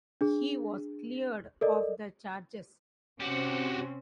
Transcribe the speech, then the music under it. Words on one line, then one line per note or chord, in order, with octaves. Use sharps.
He was cleared of the charges.
D4 G#4
A4 A#4 D5 D#5
C3 C4 C#4 F#4 G4